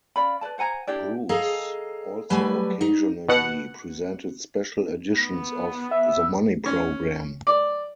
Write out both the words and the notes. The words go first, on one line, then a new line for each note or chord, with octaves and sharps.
Bruce also occasionally presented special editions of "The Money Programme".
C#4 D5 F5 B5
B4 C#5 D5 A5
C5 F#5 G#5 A#5
D4 E4 G4 D5
G#4 A4 D#5 F5 G#5 A#5
F#3 G3 A3 B4 G#5
D#4
B2 F#5
B3
E5
C#4
D5